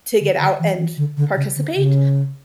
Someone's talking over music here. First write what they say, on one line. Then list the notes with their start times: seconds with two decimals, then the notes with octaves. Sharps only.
to get out and participate.
0.20 D3
0.39 D3
0.59 E3
0.78 E3
0.97 D3
1.17 D3
1.36 C#3
1.56 D3
1.76 C#3